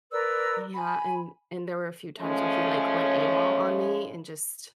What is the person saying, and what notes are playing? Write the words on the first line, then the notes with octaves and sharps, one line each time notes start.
Yeah, and and there were a few times where he, like, went AWOL on me and just
A#4 B4 D5 E6
G#5 B5
F3 G#3 A3 C#4